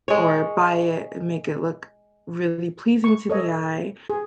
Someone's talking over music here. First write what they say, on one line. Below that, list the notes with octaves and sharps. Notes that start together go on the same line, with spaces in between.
or buy it and make it look really pleasing to the eye,
G#3 C#5
C#6
A4 C#5 D#5
G#4